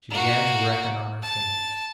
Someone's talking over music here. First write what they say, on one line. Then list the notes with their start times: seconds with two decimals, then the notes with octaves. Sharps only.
She began to reckon on her fingers.
0.10 A#3 F#4
1.22 A5